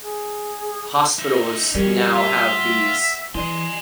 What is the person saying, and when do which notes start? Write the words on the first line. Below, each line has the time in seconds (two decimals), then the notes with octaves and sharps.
hospitals now have these,
0.02 G#4
1.19 D#4 E5
1.75 F2 G3 C#4 G4 A#4 D5
2.16 F4 E5
2.55 F#5
3.35 E3 E4 D5 G#5 C6 C7